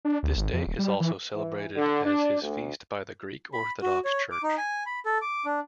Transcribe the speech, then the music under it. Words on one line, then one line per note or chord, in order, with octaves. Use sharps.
This day is also celebrated as his feast by the Greek Orthodox Church.
D4
D2
G#1
F2
D#1
G3
E3
E3
D3
D4
D2
B5
F#4
C#5
D6
D#4
G#5
B5
A4
D6
D4